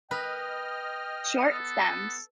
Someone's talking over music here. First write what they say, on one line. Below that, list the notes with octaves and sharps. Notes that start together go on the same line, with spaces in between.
Short stems.
B4 D#5 G5 F6
B3 A4